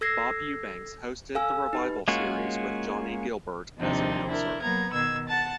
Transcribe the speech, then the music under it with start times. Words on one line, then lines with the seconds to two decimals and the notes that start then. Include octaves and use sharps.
Bob Eubanks hosted the revival series with Johnny Gilbert as announcer.
0.01 A4 E6 G#6 A#6 C7
1.35 A4 F5 G#5 E6
1.73 D#4 G4 B4
2.08 G#3 A#3 C#4 F4 F#4
3.79 D#2 C3 F3 C4 D4 D#4
4.27 D4 E4 A#4
4.61 F#3 A#3 B3 A#5 G#6
4.92 B2 D#3 E6 G#6
5.27 F#5 A5 A6